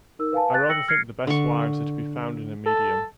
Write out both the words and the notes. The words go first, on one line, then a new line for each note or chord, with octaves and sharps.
I rather think the best wives are to be found in a medium.
D#4 A#4 E6
B4 F5 G#5 A5
F#6 A6
G5 E6 A#6 C#7 F#7
F6 G#6 A#6 C7 C#7
D3 C#6
A4